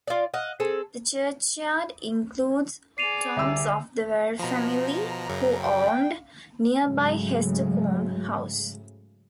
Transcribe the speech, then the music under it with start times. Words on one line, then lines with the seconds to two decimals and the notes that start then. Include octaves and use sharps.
The churchyard includes tombs of the Warre family who owned nearby Hestercombe House.
0.07 F4 D5
0.34 D#5 F5 F#5
0.60 C4 G#4 A4
2.98 G#4 D5 C7 D#7 F7
3.36 C2 D3 E6
4.39 B2 F3 A#5
5.29 F#2 C#3
5.62 G5
6.84 G#2 C#3 F#3 G#3 A3